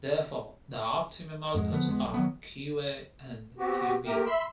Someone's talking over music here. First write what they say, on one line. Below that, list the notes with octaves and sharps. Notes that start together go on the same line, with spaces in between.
Therefore, the optimum outputs are Qa and Qb.
F2 G#2 G#3
D3 F3 A3 B3
E2 G#3 B3
B1
D#3 F#3 B3
B3 C4 F#4 G4
A3 A#3 G4 A#4
E5 B5 C6 E6